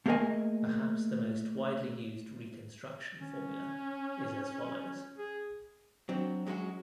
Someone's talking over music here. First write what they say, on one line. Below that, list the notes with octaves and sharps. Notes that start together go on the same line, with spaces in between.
Perhaps the most widely used reconstruction formula is as follows.
A3 A#3 G#4 A#4 D#5 G#5
C#4
G#4
F#3 C4 D4
F#3 G#3 C#4 F4 F#4